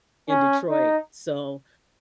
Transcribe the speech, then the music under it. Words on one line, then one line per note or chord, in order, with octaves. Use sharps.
in Detroit, so,
C#4
D#4